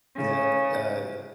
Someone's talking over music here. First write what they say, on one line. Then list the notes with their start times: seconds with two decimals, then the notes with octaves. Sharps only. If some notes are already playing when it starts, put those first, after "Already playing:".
Yeah, uh uh
0.15 C#3